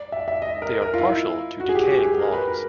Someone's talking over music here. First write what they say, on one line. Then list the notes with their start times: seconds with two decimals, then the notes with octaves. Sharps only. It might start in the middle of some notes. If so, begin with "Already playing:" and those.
They are partial to decaying logs.
Already playing: D5
0.12 E5
0.28 E5
0.42 D#5
0.62 A#4
0.82 A#4
0.94 F4
1.01 E4
1.60 F#4
1.69 G#4
1.75 G4
1.91 G4
2.05 G#4
2.19 A#4
2.33 B4
2.48 A#4